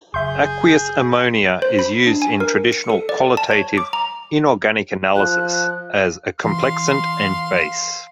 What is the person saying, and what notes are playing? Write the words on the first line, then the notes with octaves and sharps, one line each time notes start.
Aqueous ammonia is used in traditional qualitative inorganic analysis as a complexant and base.
F#1 G#4 E5 C6 G6
C5
B5
D4
G#5
A#4
C#7
A4
D5
A5
C#5
D6
A#5
F3 F#6
E3 F5 C6